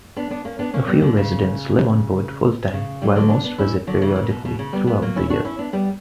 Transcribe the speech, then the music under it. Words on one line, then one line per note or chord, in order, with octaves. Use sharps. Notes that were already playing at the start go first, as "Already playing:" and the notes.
A few residents live on board full-time while most visit periodically throughout the year.
B3 D4
B3 D4
A#3 C#4
B3 D4
A#3 C#4
G3 B3
B2 D3
C#3
C#3
E3 G3
D3 F#3
B3 D4
B3 D4
C#4 E4
D3 F#3
C#3 E3
C#3
B2
B2
C#3
G3 B3
G3 B3
F#3 A#3
C#4 E4
D4 F#4
C#4 E4
B3 D4
G3 B3